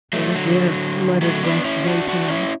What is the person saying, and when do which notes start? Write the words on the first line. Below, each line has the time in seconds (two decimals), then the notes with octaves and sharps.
"They are here," muttered West, very pale.
0.13 F#3 A3
0.35 D3 F#3
1.21 F#3 A3
1.43 B3 D4
1.65 C#4 E4
1.87 D4 F#4
2.08 D4 F#4
2.30 C#4 E4